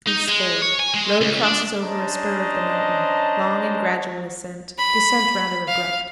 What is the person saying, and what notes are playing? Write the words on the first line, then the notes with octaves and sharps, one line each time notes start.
Smith's Ford.--Road crosses over a spur of the mountain; long and gradual ascent; descent rather abrupt.
D#4
G#3
C#5
G#5
G#3
C#2
D4
C#4 D4 C5 D#5 A5 A#5
B5
F5